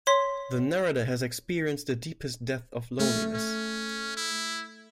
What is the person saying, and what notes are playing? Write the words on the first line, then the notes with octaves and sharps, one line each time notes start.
The narrator has experienced the deepest depth of loneliness.
C#5 C6 B6
A3 C#4
C#4
E4